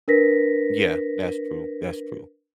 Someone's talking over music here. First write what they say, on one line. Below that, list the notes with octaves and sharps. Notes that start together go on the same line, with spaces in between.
Yeah. That's true, that's true,
D4 A#4 B4 A#6 B6